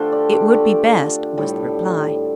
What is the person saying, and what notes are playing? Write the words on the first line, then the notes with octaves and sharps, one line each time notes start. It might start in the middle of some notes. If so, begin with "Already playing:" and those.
"It would be best," was the reply.
Already playing: D3 A3 D4 F4 G4 A4 C5
D5
D5
D3 A3
A2 G3